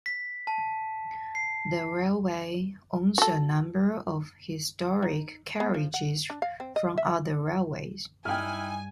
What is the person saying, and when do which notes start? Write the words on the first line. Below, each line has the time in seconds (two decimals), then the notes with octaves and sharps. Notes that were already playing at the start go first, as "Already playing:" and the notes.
The railway owns a number of historic carriages from other railways.
0.06 B6
0.47 A5
1.35 C7
3.18 F#4 A4
5.02 D#4
5.60 B3
5.74 F3
5.94 F#5
6.30 D4
6.42 F5
6.60 C4
6.76 D#5
6.98 E5
8.25 G2 D#4 E4 G5 G#5 F6